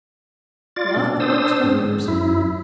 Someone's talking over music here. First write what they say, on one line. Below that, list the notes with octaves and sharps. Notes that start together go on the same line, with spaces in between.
Love works wonders.
F4 D5 A6
B2 D4
D4 C5 D#6 E6
G#2
F#2 E4